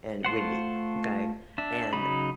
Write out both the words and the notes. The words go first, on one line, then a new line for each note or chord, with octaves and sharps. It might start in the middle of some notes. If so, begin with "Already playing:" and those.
and windy. Okay? And,
A3 F4 C5 F#5
D4 E5
C#3 F#3 D#4 B5